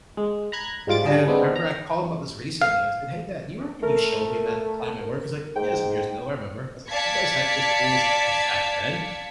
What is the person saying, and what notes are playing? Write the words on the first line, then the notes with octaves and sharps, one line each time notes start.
And, I remember I called him about this recently. I w I said, "Hey, Dad, do you remember when you showed me that the time at work?" He's like, "Yeah, some years ago, I remember." I was like, "So you guys had those tools since back then?"
G#3
A#5 B5 F#6 G#6
G#2 G3 F4 D6 A6
D3 G3 D4 G#4
G#3 B3 C4 D4
A#5
F5
A3 A#4
G#2 G5
D5 F5 A5 G#6 B6 C#7